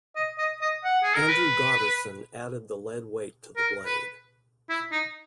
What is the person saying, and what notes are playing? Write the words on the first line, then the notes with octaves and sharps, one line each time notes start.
Andrew Gotterson added the lead weight to the blade.
D#5
D#5
D#5
F#5
G#4
A#4
B4
A#4
B4
E4
D#4